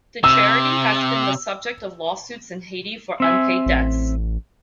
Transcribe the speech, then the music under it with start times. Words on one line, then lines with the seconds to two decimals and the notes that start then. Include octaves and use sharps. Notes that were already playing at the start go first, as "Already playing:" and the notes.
The charity has been the subject of lawsuits in Haiti for unpaid debts.
0.24 C3 E6
3.20 C4 E5 G#5
3.66 A1